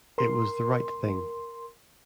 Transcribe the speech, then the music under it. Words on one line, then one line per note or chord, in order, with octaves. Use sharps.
It was the right thing.
A#4 C6